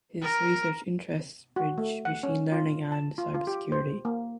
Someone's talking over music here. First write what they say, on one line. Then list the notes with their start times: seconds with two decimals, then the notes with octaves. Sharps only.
His research interests bridge machine learning and cybersecurity.
0.21 A#4
1.56 F#4
1.78 A3
2.05 F#5
2.23 C#4
2.52 F4
2.92 A5
3.18 F4
3.34 F4
3.47 G4
3.72 C5
4.05 A#3